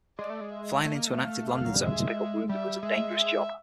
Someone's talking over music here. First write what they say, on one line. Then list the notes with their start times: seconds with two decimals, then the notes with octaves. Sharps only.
Flying into an active landing zone to pick up wounded was a dangerous job.
0.19 G#3 D5
0.30 A3
0.41 G#3
0.52 E5
0.85 A3 D#5
0.95 A#3
1.07 A3
1.18 F5
1.51 F5
1.65 F#3
1.74 G3
1.83 G#3 E5
2.49 G3 E5
2.83 G#3 E5
3.15 E5